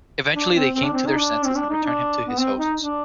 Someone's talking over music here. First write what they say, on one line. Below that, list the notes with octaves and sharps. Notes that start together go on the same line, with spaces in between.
Eventually they came to their senses and returned him to his hosts.
D4
C4
C4
D4
C4
D#4
D4
C4
D4
D#4
D4
B3
C4
D#4
D4